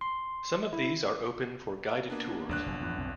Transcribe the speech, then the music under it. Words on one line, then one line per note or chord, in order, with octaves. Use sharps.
Some of these are open for guided tours.
C6
E4
A#3 B3 D4
G1 D2 A2 D4 F#6
F#1 B2 F#3
E2 A2 F3
B1 F#2 C4